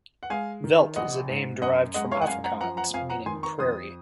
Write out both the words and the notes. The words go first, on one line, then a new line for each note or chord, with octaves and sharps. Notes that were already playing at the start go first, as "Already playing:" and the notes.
Veldt is a name derived from Afrikaans, meaning "prairie".
F#5
G#3 F5 G#5
D#3
A#1 D#5 F#5
G#2
F#2 D#5 F#5
G#3 D#5 F#5
C#5 F5
F#5
F#2 F5 G#5
F#5 A#5
F3 F#5 A#5
F#5 A#5
F2 F5 G#5
F#5 A#5
D#3 G#5 C6
A#5 C#6
F2 C6 D#6